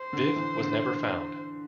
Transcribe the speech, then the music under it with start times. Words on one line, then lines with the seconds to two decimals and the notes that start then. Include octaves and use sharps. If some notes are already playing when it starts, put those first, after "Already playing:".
Viv was never found.
Already playing: C5
0.13 D3
0.36 E3
0.60 D3